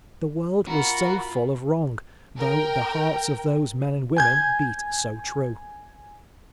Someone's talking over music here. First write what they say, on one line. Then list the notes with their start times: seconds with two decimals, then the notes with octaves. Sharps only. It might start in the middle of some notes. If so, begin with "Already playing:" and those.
The world was so full of wrong, though the hearts of those men and women beat so true!
0.68 F4 F#4 A#4 A#5 B5
2.37 A#4 G5
4.17 G#5 G6 G#6